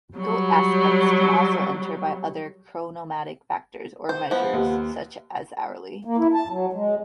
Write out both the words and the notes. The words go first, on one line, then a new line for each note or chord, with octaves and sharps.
Goat aspects can also enter by other chronomantic factors or measures, such as hourly.
F#3 G3
C5
F3 B3
D#2
A#3
E4
A5
F#3
G#3